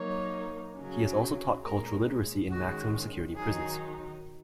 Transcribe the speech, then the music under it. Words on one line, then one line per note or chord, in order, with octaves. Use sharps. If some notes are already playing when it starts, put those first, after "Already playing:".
He has also taught cultural literacy in maximum security prisons.
Already playing: F#3 A#3 D#4 C#5
C#3 F#3 C#4
A#2 G#3 C#4 A#4
D#3 G#3 C#4 F#4
D#3 F#3 D#4 G#4